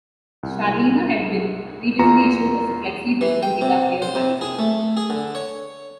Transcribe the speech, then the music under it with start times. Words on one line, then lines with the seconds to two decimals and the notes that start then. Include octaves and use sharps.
"Sharleena" had been previously issued as a flexi disc in "Guitar Player" magazine.
0.43 C2
1.99 E2 F4 A#5 C#7
3.21 E3
3.43 G5
3.62 C3
4.02 C5
4.15 C3
4.41 G#4
4.59 A3
4.97 G#4
5.10 D3
5.35 C#5